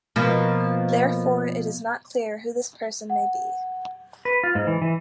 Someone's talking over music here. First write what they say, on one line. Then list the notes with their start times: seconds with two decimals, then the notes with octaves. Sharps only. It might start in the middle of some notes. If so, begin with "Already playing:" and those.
Therefore, it is not clear who this person may be.
0.16 B2 F3 A#3
3.10 F#5
4.25 B4
4.44 F4
4.55 G#2
4.67 E3
4.82 E3